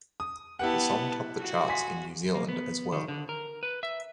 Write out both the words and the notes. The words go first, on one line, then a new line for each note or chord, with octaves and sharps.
The song topped the charts in New Zealand as well.
D#6
B3 E4 G4 F#5 A5
F#4
G#5 C6 B6
A#3
B3
D#3
D3
A#4
B4
E5